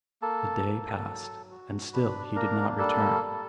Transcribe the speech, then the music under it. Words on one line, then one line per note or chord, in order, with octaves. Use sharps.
The day passed, and still he did not return.
A#3 A4 A5
A#3
F#3
F#4
D4 B4 B5
A#3 A#4 A#5
G3 A4 A5
G3